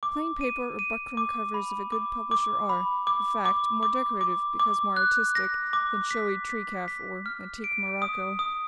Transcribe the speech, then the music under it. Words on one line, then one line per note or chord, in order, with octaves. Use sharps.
The plain paper or buckram covers of a good publisher are, in fact, more decorative, because more artistic, than showy tree-calf or "antique morocco."
D6
D#7
D#7
D6
B5
D6
D6
B5
D6
D6
D6
D6
D6
F#6
A#6
D6
B6
B6
B6
F6
D7
D#6
D#6